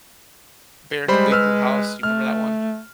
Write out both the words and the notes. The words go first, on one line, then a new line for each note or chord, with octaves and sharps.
Bear in a Big Blue House, do you remember that one?
G3 G#3 C5 B5
B4 E6 F6
A3 F6